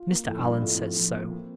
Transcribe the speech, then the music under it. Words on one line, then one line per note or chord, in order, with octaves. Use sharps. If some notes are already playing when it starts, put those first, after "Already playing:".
Mr. Allan says so.
Already playing: F4
A#3
A2 F3
G2
F4
G2
A2 C3
F3
F3
A#3
C4